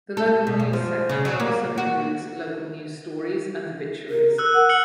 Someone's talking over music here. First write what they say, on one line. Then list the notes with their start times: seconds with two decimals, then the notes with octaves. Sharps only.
The local news section also includes local news stories and obituaries.
0.17 A4
0.47 B2
0.60 F#2
0.73 F3
1.09 C#3
1.25 F#3
1.40 A#3
1.78 F#4
4.10 A#4
4.38 E6 F#6
4.55 F#5
4.69 F6 C#7 F#7